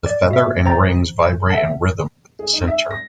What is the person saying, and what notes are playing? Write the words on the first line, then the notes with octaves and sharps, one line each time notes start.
The feather and rings vibrate in rhythm with the sintir.
D5
F#4 E5
C5 G5 A#5 A6
E5 F#5 A5
G#4
D#4
E5
A#6